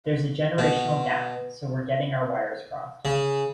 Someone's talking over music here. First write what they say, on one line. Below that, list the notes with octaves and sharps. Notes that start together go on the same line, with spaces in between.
There's a generational gap, so we're getting our wires crossed.
B2
C#3